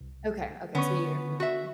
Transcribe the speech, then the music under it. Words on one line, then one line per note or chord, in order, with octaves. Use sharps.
Okay, okay, so you're familiar.
C2
D3 B3 C#4 C#6
F#4 E5